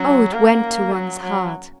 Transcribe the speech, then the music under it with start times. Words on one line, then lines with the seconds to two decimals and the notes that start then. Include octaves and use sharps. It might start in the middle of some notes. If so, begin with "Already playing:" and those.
O! it went to one's heart!
Already playing: F#3 C#4
0.33 A#3
0.92 F#3
1.23 F#3